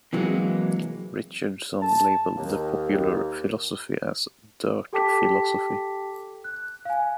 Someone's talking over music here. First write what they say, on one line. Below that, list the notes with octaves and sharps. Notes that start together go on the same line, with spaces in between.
Richardson labeled the popular philosophy as "dirt philosophy".
C3 E3 F#3 G#3 A#3
A5
D#2
G4 A4 G5 A5 D6 B6
F#6
F5 G#5